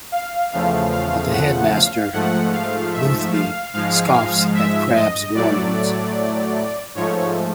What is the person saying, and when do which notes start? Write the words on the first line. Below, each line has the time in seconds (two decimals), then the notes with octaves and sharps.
But the headmaster, Boothby, scoffs at Crabbe's warnings.
0.12 F5
0.52 E2 C#3 F3 A3 F5
0.92 F5
1.33 F#5
1.73 F5
2.13 G#2 F3 A3 F#5
2.53 F5
2.93 E5
3.33 F5
3.73 G#2 F3 G#3 F5
4.14 F5
4.54 E5
4.94 D#5
5.34 A2 F#3 A3 D5
6.95 G#2 F3 A3 C#5